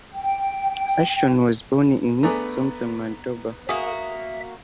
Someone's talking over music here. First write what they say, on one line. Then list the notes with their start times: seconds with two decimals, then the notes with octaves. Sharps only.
Ashton was born in Thompson, Manitoba.
0.13 G5
2.23 A3 B3 D4 G#4 B4 A#5
3.69 A#3 F#4 G#4 E5 D#6